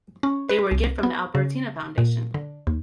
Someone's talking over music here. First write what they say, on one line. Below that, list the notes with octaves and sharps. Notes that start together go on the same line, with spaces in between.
They were a gift from the Albertina Foundation.
C#4
B4
C2
B3
C#3
A#2
D3
D#2